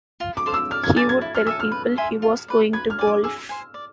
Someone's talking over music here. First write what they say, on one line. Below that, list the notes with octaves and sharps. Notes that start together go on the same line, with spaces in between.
He would tell people he was going to golf.
F4
D6
A4 C5 F5
E6
D5 F6
G#6
G#5 D6 A6
G#6
E4
F6
A4 E5 G#5 E6
F6
B4
E5 G#5 C6
F4
B4 D5
B4 G#6
F6
D5 G#5
D6
G#4 E6
C5 G#5
D5